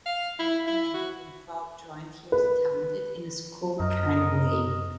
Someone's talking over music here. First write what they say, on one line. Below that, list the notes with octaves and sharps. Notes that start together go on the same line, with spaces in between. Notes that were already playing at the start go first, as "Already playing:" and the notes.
McCauley commented when Crowell joined "he was talented in a schooled kind of way".
F5
E4
E4
F#4
B4
F#2 A#4 D#5